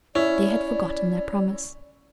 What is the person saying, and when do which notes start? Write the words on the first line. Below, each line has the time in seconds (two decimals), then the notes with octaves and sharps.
They had forgotten their promise.
0.15 C#4 E4 D5